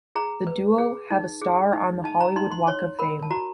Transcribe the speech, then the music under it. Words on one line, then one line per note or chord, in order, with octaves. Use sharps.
The duo have a star on the Hollywood Walk of Fame.
G#4 A#5
B4
G#4
D#4
G#4
D#4
D#4 A5
A#5
D#4 C6
C6
C#5 C6
A#4 B5
A5
F#4 A#5